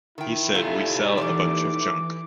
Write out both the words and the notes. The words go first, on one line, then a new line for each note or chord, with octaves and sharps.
He said "We sell a bunch of junk".
D#3 E4 G5
A3 D#4 F4 G4 E5 G#5
E3 A3 D5 D6